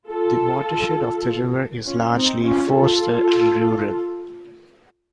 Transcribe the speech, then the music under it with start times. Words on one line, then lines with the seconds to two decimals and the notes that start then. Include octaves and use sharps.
The watershed of the river is largely forested and rural.
0.08 F4 A4
1.85 C#4 F4
2.15 C4 D#4
2.44 C#4 F4
2.73 F4 A4